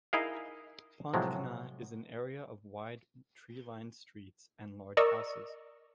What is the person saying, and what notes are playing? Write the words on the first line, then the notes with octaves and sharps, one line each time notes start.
Pontcanna is an area of wide tree-lined streets and large houses.
D#4 E4 G#4 A#4 D#5 F5
A2 C3 F3 F#3 G#3
A#4 D5 D#5 C#6 E6